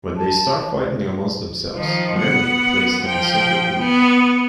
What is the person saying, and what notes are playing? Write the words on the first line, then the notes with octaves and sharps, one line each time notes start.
When they start fighting amongst themselves, Mary places them in separate rooms.
A5
D#3 F3
B3 F#5
F3 G5
B3